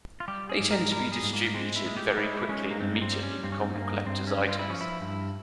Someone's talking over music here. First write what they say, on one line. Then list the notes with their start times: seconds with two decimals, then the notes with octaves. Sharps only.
They tend to be distributed very quickly and immediately become collectors' items.
0.20 F4
0.28 G3 G4
0.49 G#4
0.60 G#2
0.71 A#4
0.91 G3 A#4
1.12 G#4
1.23 G#2
1.33 A#3
1.54 G#3 C4
1.76 E4
1.86 G#3
1.97 G4
2.17 G#3 E4
2.42 E4
2.49 G#3 C#4
2.71 A#3
2.80 G2 C4
2.96 A#3
3.02 C4
3.12 G3
3.23 C#4
3.43 G2 C4
3.52 C#4
3.61 C4
3.75 G2 A#3
4.06 G2 C4
4.27 C#4
4.38 G2
4.49 F4
4.59 E4
4.69 F3 C#4
4.81 E4
5.01 G2